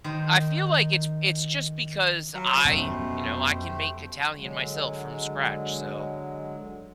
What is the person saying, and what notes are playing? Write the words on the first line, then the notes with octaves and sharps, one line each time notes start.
I feel like it's it's just because I, you know, I can make Italian myself from scratch. So
D#3 C5
F#3 B4 F5
F2 B2 F#3 A3 C#4 G4 C5
D3 F#3 G#3